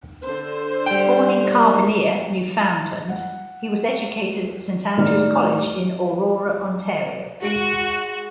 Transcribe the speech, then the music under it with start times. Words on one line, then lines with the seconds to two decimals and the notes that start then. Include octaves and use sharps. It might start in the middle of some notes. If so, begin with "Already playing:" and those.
Born in Carbonear, Newfoundland, he was educated at Saint Andrew's College in Aurora, Ontario.
0.22 D3 C5
0.86 G3 G5
1.54 D#3 A#3
3.09 F#5
4.97 A2 D#3 G3 D#4 D5 F6
7.42 G#3 F#4 D7